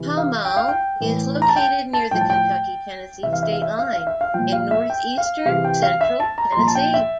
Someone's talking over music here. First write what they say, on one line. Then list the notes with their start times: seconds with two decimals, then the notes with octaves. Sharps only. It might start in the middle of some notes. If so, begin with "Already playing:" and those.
Pall Mall is located near the Kentucky-Tennessee state-line in northeastern-central Tennessee.
Already playing: C3 E3
0.17 F5
0.45 G5
0.57 F5
0.68 G5
1.00 A2 E3
1.42 A#5
1.49 A5
1.56 G5
1.93 A5
2.11 A2 F3 G5
2.21 A5
2.30 G5
3.23 C3 E3 E5
3.33 F5
3.43 E5
3.52 F5
3.62 E5
3.79 F5
3.93 F5
4.07 E5
4.21 F5
4.34 A#2 F3 G5
4.52 F5
4.71 E5
4.90 G5
5.18 F5
5.45 C3 E3 F5
5.64 G5
5.83 F5
6.01 E5
6.20 A5
6.38 A#5
6.52 C6
6.57 A#2 F3 A#5
6.67 A5
6.75 G5
6.94 E5